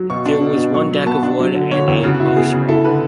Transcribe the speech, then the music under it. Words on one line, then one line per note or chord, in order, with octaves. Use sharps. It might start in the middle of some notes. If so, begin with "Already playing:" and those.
There was one deck, of wood, and a bowsprit.
Already playing: F#3
B2 C#6
D4
B2
B2
F#3 C#6
F#3
B3 A5
D4
F#3
D3
D3 C#5
E2
C#3 F#4
F#4
E4
F#4
B3 G#4
C#3
E4 A4
D3 B4